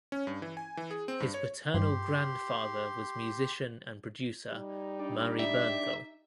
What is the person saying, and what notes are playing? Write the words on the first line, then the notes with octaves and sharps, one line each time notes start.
His paternal grandfather was musician and producer Murray Bernthal.
C#4
G2
E3
G#5
E3
G#4
C4
G2
C#5
G2 F3 G4 C6
G3 D#4
D4 G4 D5
E5